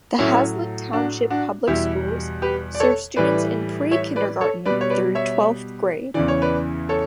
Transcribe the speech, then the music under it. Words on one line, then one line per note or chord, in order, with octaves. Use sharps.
The Hazlet Township Public Schools serve students in pre-kindergarten through twelfth grade.
A2 F#3 C#4 E4
D4 F#4
D4 F#4
E2 B2 G3 E4 G4
G4 B4
D5
A4 C#5
A2 E3 G3 B4 D5
C#5 E5
B4 D5
A4 C#5
B2 G3 B4 D5
C#5
B4 D5
C#5 E5
E2 C#3 E3 D5
C#5
B4 D5
A4 C#5